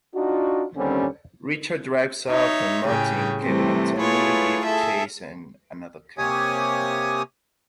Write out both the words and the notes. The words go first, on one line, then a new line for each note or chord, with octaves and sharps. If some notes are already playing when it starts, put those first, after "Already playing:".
Richard drives off and Martin, Kevin and Tommy give chase in another car.
D4 D#4 F4 F#4
D#2 D3 G3 C4 C#4
D#4 C#5 E5
A2 C#3 G4 G#4
C3 E3 G3 A3 C4
A3 E4 F4 G#4 B4 C#5
G#4 A4 E5
C3 A#3 G4 C#5 G#5 D#6